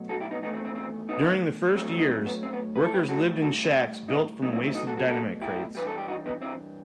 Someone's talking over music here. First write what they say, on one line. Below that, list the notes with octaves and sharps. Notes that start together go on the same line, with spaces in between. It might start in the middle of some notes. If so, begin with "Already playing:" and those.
During the first years, workers lived in shacks built from wasted dynamite crates.
Already playing: B2 F#3 A3
F#4 A4
E4 G4
B3 D#4
E2 D#3 A3 B3 D#4
C4
C4
C4
B3 D#4
A2 F#3 A3 C4
C4
B3 D#4
C4
B3
C4
B3
B4
A4
G4 B4
A2 G3 F#4 A4
F#4 A4
C4
B3 D#4
B2 F#3 A3 B3 D#4
C4 E4
C4 E4
D#4 F#4
F#4 A4
F#4 A4
F#4 A4
E4 G4
G2 E3 G3 B4
A4
G4
D#4 F#4
B3 D#4
C4 E4